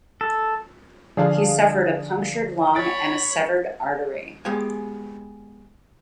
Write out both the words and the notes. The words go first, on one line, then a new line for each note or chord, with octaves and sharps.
He suffered a punctured lung and a severed artery.
A4
D3 F3 G#4 D5 F5 A5
C#5 B5 A6 D7
G#3 B3 G4 G#5